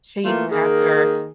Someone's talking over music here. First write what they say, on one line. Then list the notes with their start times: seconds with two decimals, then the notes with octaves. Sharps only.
chased after,
0.25 E3 A3 A#3 F4
0.51 D#3 A#3 G#4 A#4